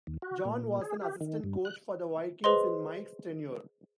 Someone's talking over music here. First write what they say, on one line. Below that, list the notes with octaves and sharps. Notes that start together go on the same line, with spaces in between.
John was an assistant coach for the Vikings in Mike's tenure.
D#2
F#4
A#2
G#4
G4
D#3
G2
F#6
G#4 B4 C5 D#5 C6